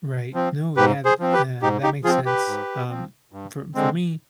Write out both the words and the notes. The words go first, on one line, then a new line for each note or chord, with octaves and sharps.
Right. No, yeah. Th uh, that makes sense. Um, for for me,
F3 C4
G#2 G4 B4
G#4 C5
F3 C4
G4 B4
G#2 D#4 G4
D#4 G4
F3 C4 F4 G#4
G4 B4
G#2
F3 C4
G2
D3 G#3 C4